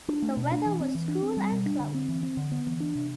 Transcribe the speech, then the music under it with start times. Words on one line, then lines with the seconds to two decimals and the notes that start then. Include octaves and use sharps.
The weather was cool and cloudy.
0.08 D4
0.22 A3
0.37 B2
0.52 D4
0.66 E3
0.80 C4
0.95 E3
1.08 D4
1.23 C4
1.37 G3
1.52 B2
1.66 D4
1.80 D3
1.94 C4
2.09 E3
2.23 C4
2.37 D3
2.52 B3
2.67 E3
2.80 D4
2.96 C3